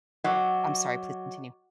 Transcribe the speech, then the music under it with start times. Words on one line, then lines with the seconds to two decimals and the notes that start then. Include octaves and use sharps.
I'm sorry, please continue.
0.24 F#3 D#5 F#5 C#6 D6